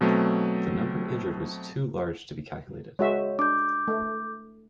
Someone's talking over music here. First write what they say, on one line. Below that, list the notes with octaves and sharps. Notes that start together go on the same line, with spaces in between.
The number injured was too large to be calculated.
B2 F#3 A3 C4
G#3 F#4 C#5 E5
D4 D6 G6
A3